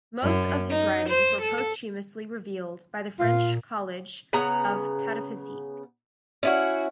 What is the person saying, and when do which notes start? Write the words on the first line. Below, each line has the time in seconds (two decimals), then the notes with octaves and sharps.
Most of his writings were posthumously revealed by the French College of 'Pataphysique.
0.22 F#2
0.69 D#4
1.10 C5
1.42 A4
3.19 A#2 F4
4.33 C#3 B3 A#5
6.43 C#4 E4 F#4